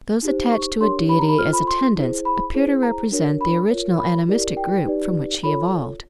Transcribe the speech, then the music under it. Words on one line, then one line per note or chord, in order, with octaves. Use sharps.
Those attached to a deity as "attendants" appear to represent the original animistic group from which he evolved.
D#4 G4 C5
C#6
D4 G4 A#4 C#5 C6
B5
A#5
B5
F4 A4 C5 F6
B5
C6
E4 G#4 C5
B5
E4 G#4 C5
A#5
D4 F#4 A#4 C#5
B5
F4 A#4 C#5
B5
E4 G4 A#4 D5
G5
D#4 G4 B4 D5
F4 A4 C#5 B5